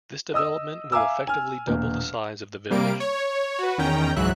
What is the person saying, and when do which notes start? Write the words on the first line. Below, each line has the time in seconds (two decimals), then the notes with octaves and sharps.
This development will effectively double the size of the village.
0.34 D#5 D#6 E6
0.92 E5 F5 G#5 A#5 D6 E6
1.27 G#5 F6
1.67 E1 A#2
2.70 C3 G3 A#3 D7
3.00 C#5
3.59 F#4 B4
3.78 E2 D#3 C#4 G5 A#5
4.16 C#2 G#2 E3 F#3 E5 F#6